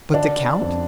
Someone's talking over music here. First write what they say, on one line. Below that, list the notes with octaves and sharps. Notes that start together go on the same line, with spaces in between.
But the count?
D3 D4
F2